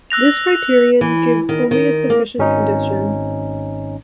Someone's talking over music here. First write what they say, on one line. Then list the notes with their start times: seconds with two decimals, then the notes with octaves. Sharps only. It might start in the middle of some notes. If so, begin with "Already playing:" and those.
This criterion gives only a sufficient condition.
0.10 E6 F#6 A#6 F7
1.01 E3
1.49 D#3
1.71 D#3
2.10 A#3
2.38 G#1 C#4 D#4